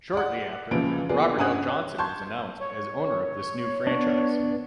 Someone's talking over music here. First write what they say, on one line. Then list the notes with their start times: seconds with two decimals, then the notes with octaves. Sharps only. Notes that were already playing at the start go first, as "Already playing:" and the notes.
Shortly after, Robert L. Johnson was announced as owner of this new franchise.
0.13 D5 F#5
0.71 C#2 A#2 C#3 E3 F3 D7
1.09 A#3 B3 F4 G#4 B4 D5
1.37 G2 C#4 F#5 G#5 D#6 F#6
1.68 C#5
1.98 A5 C6 C#6 G6 G#6
2.60 C#5
3.87 B3 D4